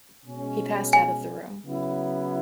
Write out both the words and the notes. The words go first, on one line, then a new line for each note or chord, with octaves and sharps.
He passed out of the room.
B2 G#3 C#4
G#5
C#3 F#3 B3 E4